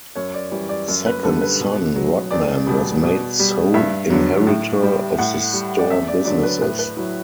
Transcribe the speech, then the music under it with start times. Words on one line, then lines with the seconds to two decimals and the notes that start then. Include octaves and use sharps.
Second son Rodman was made sole inheritor of the store businesses.
0.15 F#2 C#5
0.34 D5
0.51 E3 G3
0.69 D5
0.88 F#2
1.06 B4
1.23 D3 G3 A4
1.41 B4
1.60 B2
1.96 F#3
2.31 E2 D5
2.67 B2 G3
3.04 B2
3.39 G3
3.74 G2 E5
4.10 D3 F#3
4.47 A2
4.83 G3
5.18 A2 F#5
5.53 G3
5.79 D5
5.90 E2 E5
6.08 D5
6.25 D3 F#3 D5
6.43 B4
6.61 A2 B4
6.79 B4
6.97 F#3 E4